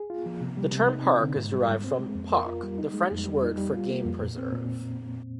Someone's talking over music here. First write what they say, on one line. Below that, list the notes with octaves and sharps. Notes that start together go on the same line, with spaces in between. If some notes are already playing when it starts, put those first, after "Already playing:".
The term park is derived from "parc", the French word for game preserve.
Already playing: G#4
F4
F3
C3
G3
C3
D#4
C4
D3
G#2
G3
G#2
C4
G#3
F2
A#4
F4
G3
D#4
G#3
F2
G3
D#4
G3
F4
A#3
F2
A#2
C4
A#2